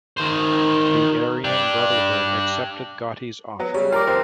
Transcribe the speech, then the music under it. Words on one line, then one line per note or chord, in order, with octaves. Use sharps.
The Aryan Brotherhood accepted Gotti's offer.
D#3 C5
D4 G4
F#3 B3
C#3 G3 C#5
A#2 F4 A#4 G5 A#5 D6
F1 C4